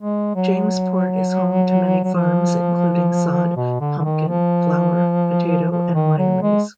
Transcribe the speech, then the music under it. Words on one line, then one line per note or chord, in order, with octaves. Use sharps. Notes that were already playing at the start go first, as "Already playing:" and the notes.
Jamesport is home to many farms including sod, pumpkin, flower, potato and wineries.
G#3
F#3
F#3
F3
B2
D3
D3
D#3
F3
F3
D#3
F#3
G#3